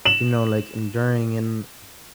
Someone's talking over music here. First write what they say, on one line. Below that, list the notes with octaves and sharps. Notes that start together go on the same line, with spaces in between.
you know, like, enduring and
E7 F#7